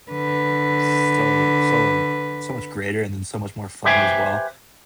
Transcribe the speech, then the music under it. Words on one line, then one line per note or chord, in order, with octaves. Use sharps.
so so like so much greater and then so much more fun as well,
D3 B4
G4 B4 C5 E5 G5 G#5